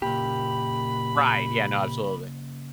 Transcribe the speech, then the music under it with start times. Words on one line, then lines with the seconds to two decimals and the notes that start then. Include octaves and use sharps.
Right, yeah, no, absolutely.
0.02 A#2 C#3 A#3 G4 B5